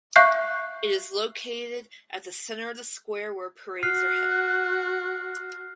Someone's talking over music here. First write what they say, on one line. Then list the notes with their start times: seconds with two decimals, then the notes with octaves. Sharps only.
It is located at the center of the Square where parades are held.
0.16 E5 F5 C#6 F#6 G6 C7
3.83 F#4 F6 F#6 C7